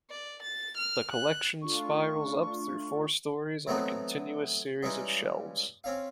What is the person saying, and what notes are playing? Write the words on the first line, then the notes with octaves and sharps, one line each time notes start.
The collection spirals up through four stories on a continuous series of shelves.
D5
A6
F6
F#6
A3 D4 F4 C#6
E3 F#3 A3 B3 C4 D#4
C#3 E3 G3 G#3 C#4 D#4
C4 C#4 F5